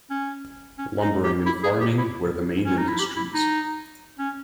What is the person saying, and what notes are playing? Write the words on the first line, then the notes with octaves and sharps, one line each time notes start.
Lumbering and farming were the main industries.
C#4
C#4
D#4
G4
E4
G#4
G4
E4
C#4
D#4
E4
G4
E4
D#4
C#4